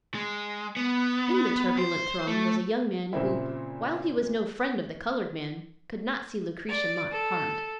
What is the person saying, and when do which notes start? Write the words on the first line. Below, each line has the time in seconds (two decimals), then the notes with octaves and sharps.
In the turbulent throng was a young man who, while he was no friend of the colored man, could not see Lucretia Mott harmed.
0.15 G#3
0.77 B3
1.79 C5
2.27 A3
3.13 A#2 C#3 C4 E4
6.67 D5
7.10 A4